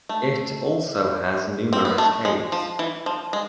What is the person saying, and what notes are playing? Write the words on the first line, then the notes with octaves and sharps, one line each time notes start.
It also has numerous caves.
A3
C4
B3
A3
G#3
F3
E3
F3
G#3